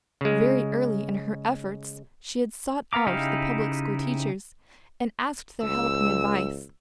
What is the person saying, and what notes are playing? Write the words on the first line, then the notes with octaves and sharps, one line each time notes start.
Very early in her efforts she had sought out the public school-teachers, and asked their help and advice.
C#3 G#3
B3 F5 A#5 D6
C#3 D#4 E4 G4 F5
C#2 E6